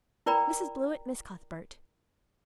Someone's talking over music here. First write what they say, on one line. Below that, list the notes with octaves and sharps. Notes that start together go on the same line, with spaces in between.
Mrs. Blewett, Miss Cuthbert.
E4 A#4 D5 G5 A#5 B5